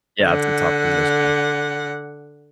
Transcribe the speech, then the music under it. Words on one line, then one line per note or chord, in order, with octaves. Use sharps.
Yeah, it's a tough position.
D3 F#5